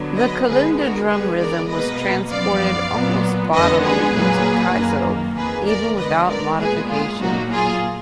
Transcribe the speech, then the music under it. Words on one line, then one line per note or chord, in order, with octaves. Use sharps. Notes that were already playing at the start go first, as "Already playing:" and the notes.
The kalinda drum rhythm was transported almost bodily into Kaiso even without modification.
Already playing: D3 F#3 B3
B4 D#5
D3 G#3 B3 G#4 B4
F#4 A#4
D3 G#3 B3 G#4 B4
A#4 D5
B2 A#3 B4 D#5
F#2 F3 B3 D5 F5
A#2 F#3 B3
F2 D3 G#3 B3 B4 D#5
G#4 B4
A#2 F#3 A#3
F#2 D#3 A#3
F2 D#3 A#3 G#4 B4
A#4 D5
D3 G#3 B3 B4 D#5
A#4 D5
A#2 G#3 B3 G#4 B4
F4 G#4
A#2 F#3 A#3 D#4 F#4
F4 G#4